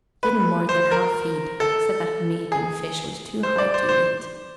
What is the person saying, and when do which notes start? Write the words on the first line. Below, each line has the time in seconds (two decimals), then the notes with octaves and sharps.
Didn't more than half feed, said that meat and fish was too high to eat.
0.23 B4
0.69 C5
0.91 A#4
1.60 A4
2.52 G#4
3.43 C5
3.58 D5
3.74 C5
3.89 C5